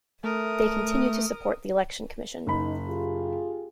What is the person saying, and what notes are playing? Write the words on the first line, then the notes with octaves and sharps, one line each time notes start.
They continue to support the election commission.
A3 A#4 D#6
F#1 D#4 B5
F4 G4 G#4